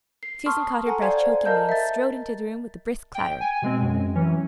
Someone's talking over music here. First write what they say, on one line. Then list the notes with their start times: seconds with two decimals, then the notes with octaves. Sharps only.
Susan caught her breath chokingly, and strode into the room with a brisk clatter.
0.23 C7
0.46 A5 C6 C#6 D#6 F6
0.86 A4 F#5 G#5 A#5
1.02 C5 D5 F5 G#5 C6 G#6
1.45 A#4 D#5 F5 A5 A#5 G6
1.69 E5 A6
3.15 G5
3.41 G#5
3.62 B2 G#3 C4
3.82 F#2
4.15 E3 F#3 C#4